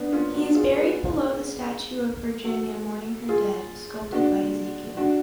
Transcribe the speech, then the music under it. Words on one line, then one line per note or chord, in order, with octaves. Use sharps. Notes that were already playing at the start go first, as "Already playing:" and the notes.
He is buried below the statue of Virginia Mourning Her Dead sculpted by Ezekiel.
Already playing: B3 D4
C#4 F4
D4 F#4
F4 G#4
G#4 B4
F#4 A4
F4 G#4
D4 F#4
D4 F#4